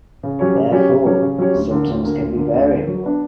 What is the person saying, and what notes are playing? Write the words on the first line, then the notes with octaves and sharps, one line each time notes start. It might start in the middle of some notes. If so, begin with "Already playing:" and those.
Therefore, symptoms can be variable.
C#3
F#3 C#4 G4 C#5
C#3
F#3 C#4 G4 C#5
C#3
F#3 C#4 G4 C#5
C#3
F#3 C#4 G4 C#5
D2
D3 A#3
D2
D3 A#3
D2
D3 A#3
D2
D3 A#3
F#3
B3 D4